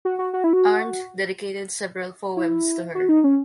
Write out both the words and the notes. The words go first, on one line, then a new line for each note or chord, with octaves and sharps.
Arndt dedicated several poems to her.
F#4
F#4
F#4
E4
F#4
E4
F#4
D#4
C#4